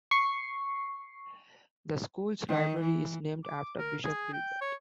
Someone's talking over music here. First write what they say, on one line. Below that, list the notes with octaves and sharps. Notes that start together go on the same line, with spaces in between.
The school's library is named after Bishop Gilbert.
C#6 C7
D#3
E3
D6
A#4
G#4
G5
C#5